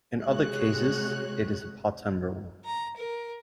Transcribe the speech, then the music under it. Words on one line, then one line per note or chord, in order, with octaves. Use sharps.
In other cases it is a part-time role.
C3 G#3 F#4 C#5 F#6
A#5
A#4